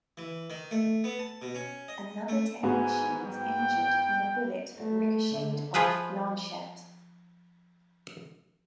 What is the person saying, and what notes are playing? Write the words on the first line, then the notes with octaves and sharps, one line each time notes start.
Another technician was injured from the bullet that ricocheted off Blanchette.
E3
D#3
A3
B3
A5
B2
C#4
D#5
A3
G#2 B3 F#4 G#5
G5
A3
D3
F3 F4 G#4 B4 E5